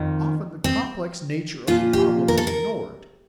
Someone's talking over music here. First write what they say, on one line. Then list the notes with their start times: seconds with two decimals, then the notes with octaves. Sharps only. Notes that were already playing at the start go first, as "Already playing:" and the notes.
Often the complex nature of the problem is ignored.
Already playing: F2 D#3
0.64 C4
1.67 A#2 F3 F4
1.93 G4
2.28 A#4
2.38 A4
2.47 A#4